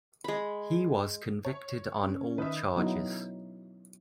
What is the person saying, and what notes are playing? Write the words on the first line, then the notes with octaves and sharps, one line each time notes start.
He was convicted on all charges.
G#3 B5
C#5
C#4
D#3 B4 E5
F#3 B3 D#4 E4